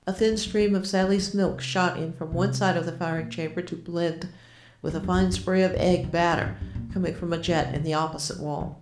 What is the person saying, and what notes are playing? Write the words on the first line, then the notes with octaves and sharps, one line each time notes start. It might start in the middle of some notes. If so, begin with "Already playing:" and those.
A thin stream of Sally's milk shot in from one side of the firing chamber to blend with a fine spray of egg, batter coming from a jet in the opposite wall.
G3
G3
G#3
G3
F3
D#3
C3
C3
A#2
G2
F2
G#2
G2
G2
A#2
C3
D#3
D3
G#2
G2
G2
A#2
G#2
G#2
G2
G#2
A#2
C3
D3
F3
D3